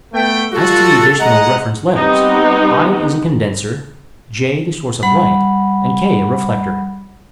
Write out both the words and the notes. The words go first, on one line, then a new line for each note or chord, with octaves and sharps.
As to the additional reference letters, I is a condenser J the source of light, and K a reflector.
A3 B3 G5
G3 F4 F#4 A4
G#3 D#5 F#5 A#5
G3 B3 C4 D#4 G4 F#5
G3 F#5 B5